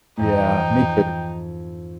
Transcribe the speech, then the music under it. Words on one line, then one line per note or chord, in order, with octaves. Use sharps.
Yeah, me too.
F2 G#2 E3 D#4 G5